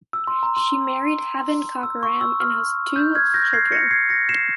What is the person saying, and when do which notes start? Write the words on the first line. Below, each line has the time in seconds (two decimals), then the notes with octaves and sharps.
She married Haven Cockerham and has two children.
0.13 E6
0.27 C6
0.43 A#5
0.57 C6
1.83 E6
2.03 C#6
2.21 E6
2.40 F6
2.96 G6
3.15 F6 G#6
3.34 G6 A#6
3.53 G#6 C7
3.72 A#6 C#7
3.91 G#6 C7
4.09 A#6 C#7
4.29 C7 E7